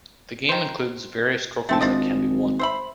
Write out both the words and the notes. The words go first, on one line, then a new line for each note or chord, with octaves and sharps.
The game includes various trophies that can be won.
D#3 C5
F1 A3 C4 A5
G#1 F3 D4 D#5
C5 E5 B5